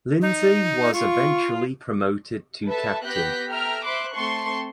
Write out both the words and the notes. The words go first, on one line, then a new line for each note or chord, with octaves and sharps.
Lindsay was eventually promoted to captain.
D#4
F4 C#6
A4 B4 E5 A5
B3 G4 F#6 G6 A#6 B6
A4 E5 G5 A#5 F6
C5 E5 B5 C6 D6 F#6
A3 C4 A5 C6 C#6